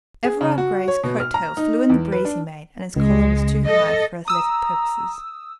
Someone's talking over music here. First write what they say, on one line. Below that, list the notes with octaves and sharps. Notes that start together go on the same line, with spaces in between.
Everard Grey's coat-tails flew in the breeze he made, and his collar was too high for athletic purposes.
G#4
C#3
F#4
C#5
B2
F6
A#5
D#4
E2
B4
D4
C#2 G#3
A4 D#5
A#5 D#6 E6